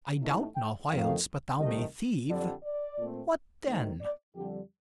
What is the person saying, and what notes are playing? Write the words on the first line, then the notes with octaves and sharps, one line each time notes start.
I doubt na, whiles, but thou may thieve; What then?
A1 A2 A3 D#4
G5
F2 D#3 A3 F5
C2 C3 D#3 A3 D#5
F2 D3 G3 D5
D5
A#2 A3 C4
D2 C3 D#3 G3
D5
F2 D3 G3 G4